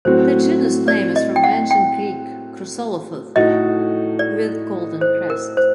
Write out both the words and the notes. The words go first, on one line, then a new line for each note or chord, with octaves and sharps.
The genus name is from Ancient Greek "khrusolophos", "with golden crest".
A2 F#3 C4 F#4 C5
D5
D#5
G5
F#5
G5
A2 A3 D#4 F#4 D#5
D5
C5
A#4
C5